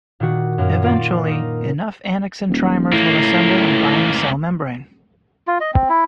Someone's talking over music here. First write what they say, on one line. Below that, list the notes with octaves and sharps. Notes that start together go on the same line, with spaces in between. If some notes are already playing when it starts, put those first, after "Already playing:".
Eventually, enough annexin trimers will assemble and bind the cell membrane.
A#2 D#3 F#4
F#2 A#3
A#3 F4 D5
D#4 A#4
D#1
C#2 A2 A#3
F4
D#5
C4
E4